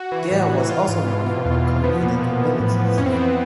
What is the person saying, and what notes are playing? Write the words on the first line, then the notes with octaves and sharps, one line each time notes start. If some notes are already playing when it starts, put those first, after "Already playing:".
Gail was also known for her comedic abilities.
Already playing: F#4
E3
A2
E3
E3 F4
G#2
E3
B2
E2
B2
F3 B3
A#2
F3
E3
A2
E3
F2 C#4
C4
B3
F2 C4